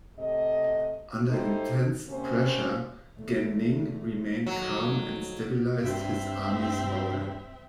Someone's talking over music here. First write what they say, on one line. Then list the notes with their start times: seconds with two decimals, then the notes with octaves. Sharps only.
Under intense pressure, Gan Ning remained calm and stabilized his army's morale.
0.17 C3 A3 D#5
1.28 D#4 E4 G4 A4 C5
2.08 C3 A#3 C#4 C5
3.16 E2 A3
4.47 F2 D#3 F#3
5.83 G2 C4 E5